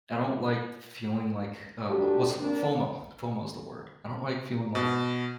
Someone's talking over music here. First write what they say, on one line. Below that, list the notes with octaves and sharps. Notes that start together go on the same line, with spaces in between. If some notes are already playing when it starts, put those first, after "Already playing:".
I don't like f feeling like, uh, what what's the word? FOMO. FOMO is the word. I don't like feeling like
A3 D4 F#4 G4
A#3 C4 D4
B2